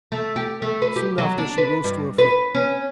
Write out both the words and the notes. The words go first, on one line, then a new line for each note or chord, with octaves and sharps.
Soon after she rose to her feet.
A3
G4
A3
B4
G4
F#3
D4
B4
G2
B4
C#4